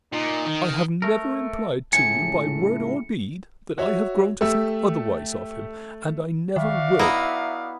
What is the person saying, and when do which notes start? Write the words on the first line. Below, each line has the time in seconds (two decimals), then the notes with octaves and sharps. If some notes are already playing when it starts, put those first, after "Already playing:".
I have never implied to you by word or deed that I have grown to think otherwise of him, and I never will.
0.13 A#2 D#4
0.46 D#3
1.02 A3 A#4
1.93 C#2 A2 G#5 C#7
3.78 F#4 C#5 E5
4.41 A3 G4 E5 E6
6.56 D#3 F#4 D5 E5 F5
6.99 B3 E4 D#5 F#5 A#5 E6